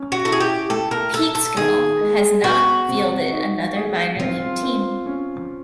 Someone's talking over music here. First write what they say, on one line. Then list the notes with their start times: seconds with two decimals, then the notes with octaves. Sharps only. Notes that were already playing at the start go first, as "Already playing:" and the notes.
Peekskill has not fielded another minor league team.
Already playing: C#4
0.12 F#4
0.25 E4 A4
0.32 G#4
0.40 G4
0.69 A3 A4
0.91 A#4
1.13 A3 A4
1.35 A4
1.57 D#3 G#4
2.00 G#3
2.44 B3 F#4
2.89 C3
3.32 D#4
3.76 G#4
4.20 C4 F4
4.63 C4
5.06 C#4